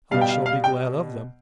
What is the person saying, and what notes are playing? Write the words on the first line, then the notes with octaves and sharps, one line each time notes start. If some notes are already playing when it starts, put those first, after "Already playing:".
I shall be glad of them.
B2 G3 F5
G5
F5
F5
G5